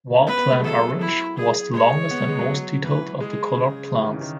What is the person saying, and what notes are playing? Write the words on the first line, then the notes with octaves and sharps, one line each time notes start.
War Plan Orange was the longest and most-detailed of the colored plans.
C#4
B3 B4
B3
A3
G#3
F#3 A4
E4
G#4
G#3 C#5
B3
G#3
F#3
E3 B4
G#3 G#4
C#3
E3
D#3
C#3
D#3